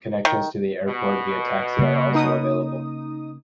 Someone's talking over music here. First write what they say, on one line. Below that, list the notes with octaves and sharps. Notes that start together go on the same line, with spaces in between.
Connections to the airport via taxi are also available.
D#3
B2
C#3 A#3
D#4 D#6